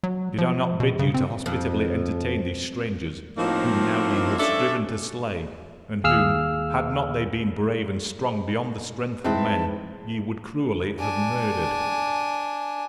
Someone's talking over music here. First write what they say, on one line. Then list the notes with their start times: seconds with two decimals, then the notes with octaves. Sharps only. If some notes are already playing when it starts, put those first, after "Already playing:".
Did I not bid you to hospitably entertain these strangers, whom now ye have striven to slay, and whom, had not they been brave and strong beyond the strength of men, ye would cruelly have murdered?
0.03 F#3
0.38 F3
0.80 B2
0.99 C#3
1.14 C4
1.46 F2
3.38 A2 F3 A#3 C4 D#4 F#4
4.38 C#4 D4 A4 D5 E5
6.04 D#2 G#4 F5 E6 F6
9.24 G#2 C4 E4 B4 A5
10.99 D4 G#5